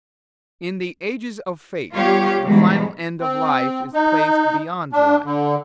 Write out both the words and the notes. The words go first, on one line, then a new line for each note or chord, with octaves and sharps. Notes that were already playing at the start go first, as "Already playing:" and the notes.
In the ages of faith the final end of life is placed beyond life.
G3 B3 F4 G4 C#5
G#2 B2 E3 F#3 G3
C4
D#4
D4
D3